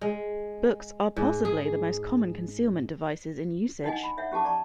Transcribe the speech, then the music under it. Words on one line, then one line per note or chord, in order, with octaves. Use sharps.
Books are possibly the most common concealment devices in usage.
G#3
G#2
G#4
D4 D#4 D#5 F#5 G#5
B5
C#5 E5 F#5
C#4 G4 F#5 A5 D6
D5 A5 A#5 C#6